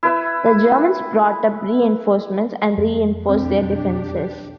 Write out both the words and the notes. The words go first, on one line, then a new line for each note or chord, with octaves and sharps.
The Germans brought up reinforcements and reinforced their defences.
E4 B4 E5
F2 G#3
B1 E2 F#3 C4 D4 G4